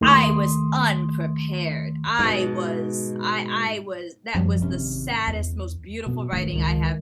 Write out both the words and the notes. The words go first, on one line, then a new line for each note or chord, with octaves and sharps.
I was unprepared, I was I I was that was the saddest, most beautiful writing I have
D#2 D#3 A3 C6 D#6
G#2 B2
F#2 F3 G3
G#1 C3 C#4
E2
B2 B3
E1 G#2 D#3 A3
C#2 D#3 G#3